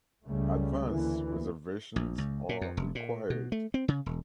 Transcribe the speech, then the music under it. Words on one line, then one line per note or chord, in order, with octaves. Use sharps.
Advance reservations are required.
C#2 C#3 G3 A3
D2 E3 A#3
A#1
C#2
A#2
F2
F1
A#2
B2
A3
C4
C#3
E1